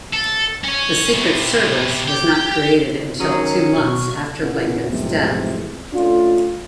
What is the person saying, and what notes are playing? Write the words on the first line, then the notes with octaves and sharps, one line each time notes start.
The Secret Service was not created until two months after Lincoln's death.
A4
C#4 C#5
C3 B3
G4
D#3 F#3 C#4 G#4 A#4
B2 C#6 F6
A#2 C#3 E3 B3 C#4 E4
B1 F2 A2 C3 E3 G#3
A3 C#4 D4 F4